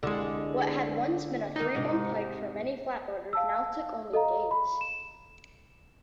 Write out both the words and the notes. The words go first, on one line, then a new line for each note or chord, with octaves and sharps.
What had once been a three-month hike for many flatboaters, now took only days.
C2 D3 G#3
D#2 A#3 D#4
G#2 C3
F5 A5 E6
A4 D#5 F5 A#5
B5
E7